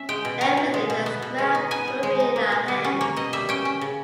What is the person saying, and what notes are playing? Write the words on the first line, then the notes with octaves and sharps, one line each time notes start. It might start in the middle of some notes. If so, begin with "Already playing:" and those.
Everything that's grabbed will be in our hands.
Already playing: C#4 E5
G#3 G5
B2
C#4 A#5
B2
G#3
B2
B3
B2
G#3
D#4
B3 G#5
B2
G#3
D#4
A#3
B2
G3
C#4
A#3 C#5
B2 D#5
G3 E5
C#4 G5
C#4
C#3